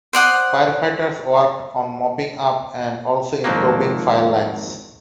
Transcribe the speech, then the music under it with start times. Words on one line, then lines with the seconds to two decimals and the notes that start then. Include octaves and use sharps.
Firefighters worked on mopping up and also improving fire lines.
0.13 C5 D5 F#5 D#6
3.44 G#1 F2 F3 F#3 A#3